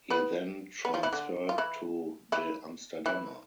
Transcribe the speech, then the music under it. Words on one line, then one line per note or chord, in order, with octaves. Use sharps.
He then transferred to De Amsterdammer.
B3 B4
B3 B4
F3 F4
E3 E4
D3 D4
F4
E3 E4
E3 E4
E3 E4